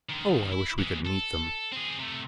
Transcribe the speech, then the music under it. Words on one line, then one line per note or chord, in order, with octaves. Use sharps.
"Oh, I wish we could meet them."
D3 D#3
E4
E3 G#3
A4
C4 G#4
C3 A3